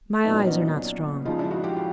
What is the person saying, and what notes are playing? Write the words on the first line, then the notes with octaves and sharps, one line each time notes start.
"My eyes are not strong."
A#2 F#3 B3 D#4
D4
C#4 D#4
C#3 F3 G#3 D#4 F4
D4 E4
E4 F#4
F4 G4
F4 G4